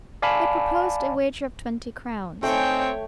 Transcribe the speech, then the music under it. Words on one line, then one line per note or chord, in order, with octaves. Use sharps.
They proposed a wager of twenty crowns.
D5 F5 G#5 A5 B5
A3 C4 D#4 G#4 C#5 G5